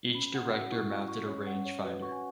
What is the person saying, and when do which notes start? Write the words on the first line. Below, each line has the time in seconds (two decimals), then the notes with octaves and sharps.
Each director mounted a rangefinder.
0.15 C#4 B5
0.35 F#5
0.43 F#4
0.53 F#5
0.71 E4 C#6
0.90 C#6
1.08 C#6
1.27 C#4 C#5
1.47 F#5
1.55 C#4
1.65 C#5
1.84 F#4 B4
2.02 F#5 C#6
2.12 G#5